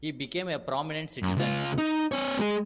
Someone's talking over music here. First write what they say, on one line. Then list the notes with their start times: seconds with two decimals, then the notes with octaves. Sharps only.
He became a prominent citizen.
1.23 F#2
1.37 C#2 F4
1.78 D#4
2.12 C4 C#5
2.40 G#3 G#4